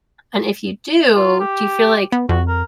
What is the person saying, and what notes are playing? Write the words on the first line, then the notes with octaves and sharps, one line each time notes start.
And if you do, do you feel like
F4
G4
B3
F2 F#4
A#4